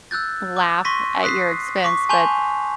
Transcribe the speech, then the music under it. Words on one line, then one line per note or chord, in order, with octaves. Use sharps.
laugh at your expense, but
E6 F#6 G6 A6
D6
C6 C#6 A#6 B6 D#7
D#6 F#6 B6 C7
C#6 D6 B6
G#5 A5 C6 C#6 G6 F7